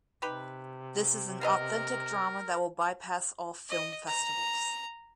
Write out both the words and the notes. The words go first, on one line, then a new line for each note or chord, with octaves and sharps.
This is an authentic drama that will bypass all film festivals.
C3 D#4 G4 B4
A#3 B3 A#4 D#5
D#5
A#5